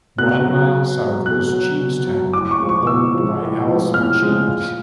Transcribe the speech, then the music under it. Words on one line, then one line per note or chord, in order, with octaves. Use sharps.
One mile south was Chevestown, owned by Allison Cheeves.
B2 F#6
F#3
B2
F#3
B2 F#6
F#3
B2
F#3
A2 D6
C#6
F3 G#3
C#6
A2 E6
F3 G#3
A2
F3 G#3
A2 F6
F3 G#3
A#2